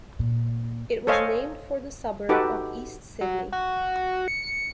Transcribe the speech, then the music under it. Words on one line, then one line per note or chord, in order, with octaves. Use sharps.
It was named for the suburb of East Sydney.
A#2
A4 C5 C#5 D#5 F5 G#5
D#4 F#4 G4 A4 B4 D6
F#3
F#4
C#7